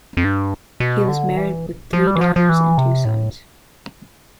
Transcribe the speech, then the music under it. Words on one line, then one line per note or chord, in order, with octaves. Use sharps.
He was married with three daughters and two sons.
F2
G2
B2
D3
E3
F3
G3
E3
F3
F3
E3
C3
A2